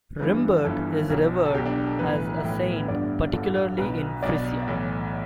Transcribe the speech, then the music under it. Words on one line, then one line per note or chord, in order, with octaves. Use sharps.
Rimbert is revered as a saint particularly in Frisia.
G1 G2 E3 B4
G1 G2 E3 A4
B1 B2
A4
B1 B2 G4
D4
A4
B1 A2 E3 B4
E5
B1 A2 E3 G5
B4
G1 G2 D3 D5
G1 G2 D3 A4
B1 B2 B4
B1 B2 D5
B1 A2 E3